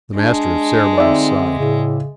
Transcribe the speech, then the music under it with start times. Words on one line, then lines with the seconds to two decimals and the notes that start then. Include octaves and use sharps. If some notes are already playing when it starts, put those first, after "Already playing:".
The Master of Ceremonies sighed.
0.18 G#3 D4
0.98 D3 C4 D#4 D5 E5
1.58 A2 C#3